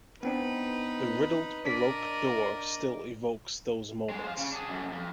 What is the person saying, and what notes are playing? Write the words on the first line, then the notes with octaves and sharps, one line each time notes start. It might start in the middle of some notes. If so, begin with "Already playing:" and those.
The riddled Baroque door still evokes those moments.
B3 C4 D4 D#4 B4
D4 A#4 D5 D#5 B6
D3 G#3
C5 F5
C#3
D4 G#4
F#2 D3
F2